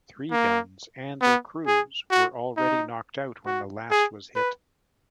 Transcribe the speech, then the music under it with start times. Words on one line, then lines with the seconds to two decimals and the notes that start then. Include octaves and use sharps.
Three guns and their crews were already knocked out when the last was hit.
0.32 A#3
1.22 B3
1.67 G#4
2.11 F#4
2.57 D#4
3.46 F#4
3.91 G#4
4.36 B4